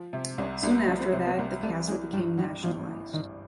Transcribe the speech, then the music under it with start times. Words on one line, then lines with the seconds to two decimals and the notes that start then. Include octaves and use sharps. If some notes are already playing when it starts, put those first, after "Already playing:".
Soon after that, the castle became nationalized.
Already playing: F3
0.13 C3
0.38 C2 C#4
0.63 C2 D4
0.88 F3 C#4
1.00 C4
1.13 C3 C4
1.26 B3
1.39 C2 A#3
1.63 C2 A3
1.88 E3 G#3
2.13 G2 G3
2.38 F#3 G3
2.63 G#1 F3
2.88 E3
3.13 G2 D#3